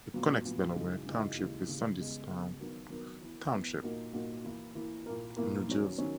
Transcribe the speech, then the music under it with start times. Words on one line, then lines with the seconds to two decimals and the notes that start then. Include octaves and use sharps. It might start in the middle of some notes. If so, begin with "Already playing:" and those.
It connects Delaware Township with Sandyston Township, New Jersey.
0.13 A#2 F#3 B3
0.45 A#2 F#3 B3
0.75 F#2 C#3 E3 G#3 D#4
1.06 F#2 C#3 E3 G#3 D#4
1.37 D#2 C#3 E3 G#3
1.67 D#2 C#3 E3 G#3
1.98 E2 C#3 G#3 B3
2.29 E2 C#3 G#3 B3
2.60 D#3 F#3 B3 F#4 A#4
2.90 D#3 F#3 B3 F#4 A#4
3.21 E3 B3 E4
3.51 E3 B3 E4
3.82 A#2 A#3 D#4 F#4 A#4
4.13 A#2 A#3 D#4 F#4 A#4
4.44 E3 A#3 E4
4.75 E3 A#3 E4
5.06 A#2 A#3 E4 A#4
5.37 A#2 A#3 E4 A#4
5.68 D#3 F#3 C#4
5.98 D#3 F#3 C#4